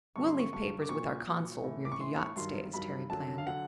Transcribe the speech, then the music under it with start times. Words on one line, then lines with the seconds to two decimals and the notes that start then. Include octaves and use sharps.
"We'll leave papers with our consul where the yacht stays," Terry planned.
0.16 G2 D3 F#3 C#6
0.27 C6
0.39 C#6
0.53 G2 D3 F#3 C#6
0.82 D6
0.89 A#2 F#3 C#6
1.27 A#2 F#3
1.63 A2 E3
1.85 D6
1.92 C#6
2.00 A2 E3 C6
2.18 C#6
2.36 G2 D#3 F#3 C6
2.73 G2 D#3 F#3 B5
3.10 F#2 D3 F#3 A5
3.38 F5
3.47 D3 F#3 F#5